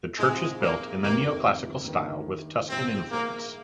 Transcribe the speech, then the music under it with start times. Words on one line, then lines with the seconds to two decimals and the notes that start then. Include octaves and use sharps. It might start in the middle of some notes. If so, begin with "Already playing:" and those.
The church is built in the Neoclassical style with Tuscan influence.
0.18 A#1 G#2 F3 G#3 C4
0.60 A#3
1.02 G1 F2 C3 D#3 G3 A#3
1.85 G2 D#3 A#3
2.69 A#1 G#2 G3 C4
3.11 A#3